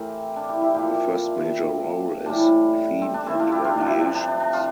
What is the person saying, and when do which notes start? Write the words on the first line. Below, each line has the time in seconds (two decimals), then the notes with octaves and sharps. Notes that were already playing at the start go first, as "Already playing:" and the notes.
Her first major role is "Theme and Variations".
Already playing: A2 E3 C4 G4 A#4
0.36 D4
0.49 E4 G4
0.62 E4 G4
0.74 A#2 F3 E4 G4
2.26 A2 E3 G3 D4
3.02 C4
3.14 D4
3.26 C4 E4
3.39 D4 F4
3.52 E4 G4
3.64 D4 F4
3.77 C3 F3 D4
3.86 C4 E4
3.96 D4
4.05 C4
4.15 D4
4.28 D4
4.40 D4
4.53 D4 F4